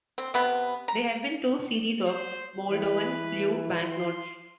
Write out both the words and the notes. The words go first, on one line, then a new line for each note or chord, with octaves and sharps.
There have been two series of Moldovan leu banknotes.
C4
C3 B3
A#5
C5
E3 B4
C6